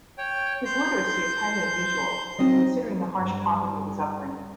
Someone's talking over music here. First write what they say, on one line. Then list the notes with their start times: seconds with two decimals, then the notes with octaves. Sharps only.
His literacy is highly unusual, considering the harsh poverty of his upbringing.
0.18 C#5 G5
0.65 C5 G6
2.39 F#3 C4 D#4 D#5
3.15 G2